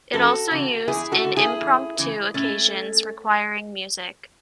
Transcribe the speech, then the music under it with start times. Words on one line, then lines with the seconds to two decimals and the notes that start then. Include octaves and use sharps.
It also used in impromptu occasions requiring music.
0.13 F#2 F#4 A4
0.51 C#3 E3
0.88 E2 E4 G#4
1.12 F#4 A4
1.24 D3
1.37 E4 G#4
1.61 E2
1.98 C#3 E3
2.34 A2 A3 C#4